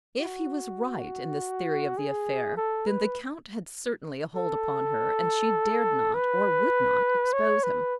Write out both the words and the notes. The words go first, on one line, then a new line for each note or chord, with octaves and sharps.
If he was right in this theory of the affair, then the Count had certainly a hold upon her, and she dared not or would not expose him!
F#4
G#4
A4
B4
A4
B4
C#5
B4